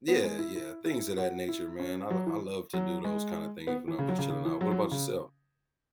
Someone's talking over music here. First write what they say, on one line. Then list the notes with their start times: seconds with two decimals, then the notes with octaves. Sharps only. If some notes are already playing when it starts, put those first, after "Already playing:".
yeah, yeah, things of that nature, man. l I love to do those kinda things when I'm just chilling out. What about yourself?
0.08 B3
0.24 G#3
0.39 E4
0.55 E4
0.86 E4
1.18 F#4
1.48 E4
1.80 C#4
2.10 F#3
2.27 E3
2.73 F#3
3.05 G#3
3.67 B3
3.88 E3
3.99 C#3
4.08 F#3
4.19 C#3
4.30 C#3
4.45 E3
4.61 F#3
4.71 F#3
4.82 E3
4.91 C#3